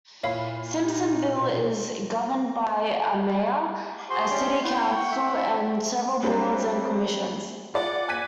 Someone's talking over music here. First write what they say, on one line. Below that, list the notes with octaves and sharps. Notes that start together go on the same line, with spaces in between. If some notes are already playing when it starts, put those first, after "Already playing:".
Simpsonville is governed by a mayor, a city council, and several boards and commissions.
A#2 E4 C#5 E5 F5 B5
D#4 G4
B2 F4
F#4 G#4 C5 C6
C#4 D4 G4
E4 F#5 G5
C#6
E5
C4 D4 E4
F#3 G3 A3 C4 D4 G#4
F4 G#4 D5 F#5
G#5 F#6 G#6 B6 D#7